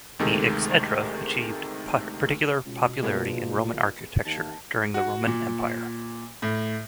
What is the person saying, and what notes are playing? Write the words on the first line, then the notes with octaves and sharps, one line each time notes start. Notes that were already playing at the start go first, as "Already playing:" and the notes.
The exedra achieved particular popularity in Roman architecture during the Roman Empire.
D2 C3 D#3 G#3 A3
C#2 B2
A#2 G#3 A#3 B3
D#2 A#3 A5
F#4
A#2
A2